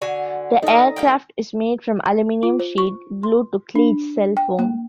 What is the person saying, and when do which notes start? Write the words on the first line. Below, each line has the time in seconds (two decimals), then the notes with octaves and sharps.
The aircraft is made from aluminum sheet glued to Klegecell foam.
0.02 D3 F#4 D5 G#5
0.63 A3 C#4 D#4 A4 D#5
0.96 G3 A#3 G5
2.43 F4
2.60 C5
2.78 C#6
3.23 C6
3.75 D4
4.37 G5
4.59 A#3